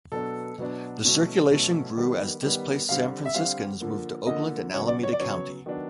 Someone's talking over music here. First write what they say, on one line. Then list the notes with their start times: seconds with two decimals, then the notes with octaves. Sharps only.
The circulation grew as displaced San Franciscans moved to Oakland and Alameda County.
0.12 B2 F#3 B3 D4 A4
0.58 B2 F#3 B3 D4
1.05 B2 F#3 A3 C#4
1.51 B2 F#3 A3 C#4
1.97 D#3 G3 B3
2.42 D#3 G3 B3
2.89 D3 G3 C4 F5
3.25 E5
3.34 D3 G3 C4 F5
3.80 D3 F3 A#3
4.27 D3 F3 A#3 D#5
4.73 C#3 F#3 B3 C#5
4.88 D5
5.03 C#5
5.13 D5
5.20 C#3 F#3 B3 C#5
5.66 D#3 F#3 B3 D4